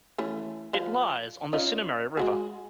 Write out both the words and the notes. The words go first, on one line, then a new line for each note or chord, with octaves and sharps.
It lies on the Sinnamary River.
E3 A3 C#4
F3 B4 F5
C#4 D#4 F4
G#3 F#4 G#4